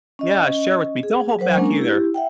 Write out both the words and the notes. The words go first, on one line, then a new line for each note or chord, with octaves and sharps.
yeah, share with me. Don't hold back either.
C#4 D#5
G#4
F#3 A#4 C5 F#5
G#3 A#3 C#4 D4 A#4
E4 G4
E5 F#5 G5